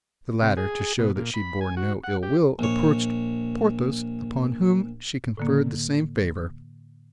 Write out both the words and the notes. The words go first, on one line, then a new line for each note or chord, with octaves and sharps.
The latter, to show that she bore no ill-will, approached Porthos, upon whom she conferred the same favor.
C3
G#4
B2
A#2
B5
G#5
F#4
F#5
G4
A#1 C#5
A2 D3 A#3